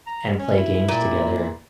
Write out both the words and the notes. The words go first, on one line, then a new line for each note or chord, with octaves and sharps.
and play games together,
A#5
C#4
E4
A#2